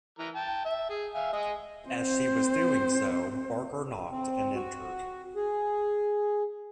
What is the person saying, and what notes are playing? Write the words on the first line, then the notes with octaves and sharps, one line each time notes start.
As she was doing so Barker knocked and entered.
E3 A#4 A#5
G5 A5
E5
G#4
E5 F5 G#5
G#3 D#5 G#5
C4 C5
C4
F#4
G#4